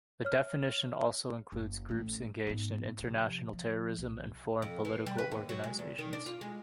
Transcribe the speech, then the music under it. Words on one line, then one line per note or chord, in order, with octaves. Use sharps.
The definition also includes groups engaged in international terrorism and foreign political organizations.
C#5 F6
F#1
A1 A2
G#2 B3
C3 F3
F3
B1
F2
E3
G3
B4
D#2
F#3
G#3
E2
D#3
D4
F4
G#3